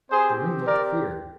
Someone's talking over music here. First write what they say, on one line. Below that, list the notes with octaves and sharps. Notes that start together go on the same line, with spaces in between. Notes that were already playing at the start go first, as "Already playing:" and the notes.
The room looked queer.
C4 G4 G#4 C5
A#4 D5